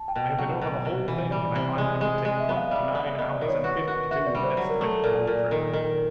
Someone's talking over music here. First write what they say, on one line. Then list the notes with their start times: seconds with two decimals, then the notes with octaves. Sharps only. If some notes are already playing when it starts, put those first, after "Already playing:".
I have been over the whole thing and I find that it would take twenty-nine hours and fifty-two minutes to make the whole trip.
Already playing: A5
0.08 G5
0.15 B2
0.23 G5
0.38 F#3 F#5
0.61 B2
0.85 C3
1.08 E3
1.31 G3 D5
1.55 C3
1.78 G#3
2.01 G#3
2.25 G#3 D#5
2.40 E5
2.49 B3
2.56 F5
2.71 G3 E5
2.95 B3
3.18 B3 D#5
3.33 D5
3.41 D#3
3.48 C#5
3.64 F#4 B4
3.87 F#4
4.11 F#4 E5
4.26 D5
4.35 G3
4.43 C5
4.57 F#3
4.69 A#4
4.80 A3 A4
5.04 A#2 D5
5.27 A#2
5.51 D#3
5.73 D#3